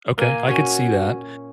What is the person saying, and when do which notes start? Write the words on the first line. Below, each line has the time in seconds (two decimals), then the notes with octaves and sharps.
Okay, I could see that.
0.18 A#2 A#3 G#5
0.48 C#4 F#4 C#5